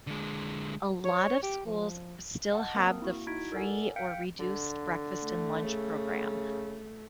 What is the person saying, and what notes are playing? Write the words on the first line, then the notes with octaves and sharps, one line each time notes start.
a lot of schools still have the f free or reduced breakfast and lunch program,
D3 G#3
C#5
G4
F3
D#5 F#5 A5
A#3 C4 A#4 D#6
A#3 E4 F#4
D#4 E4 F#4 G#6 B6 D7
A4 A#4 D5 F#5 G#5
F5 G5 G6 B6 C#7 D7
D3
A3
C#3